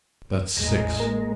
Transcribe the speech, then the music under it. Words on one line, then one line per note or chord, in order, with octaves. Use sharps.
That's six.
A1 E2 G#3 A#5
A#3 A#4 A#5